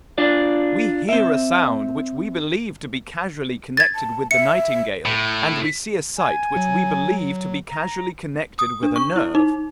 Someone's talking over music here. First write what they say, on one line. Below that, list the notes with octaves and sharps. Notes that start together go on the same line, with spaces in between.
We hear a sound which we believe to be causally connected with the nightingale, and we see a sight which we believe to be causally connected with a nerve.
D4 F4 D5
C4 E5
G#6 A6
A5
E5 C#7
A2
G#5
F#3
A#5
D#6
D4
C#6
E4
D#4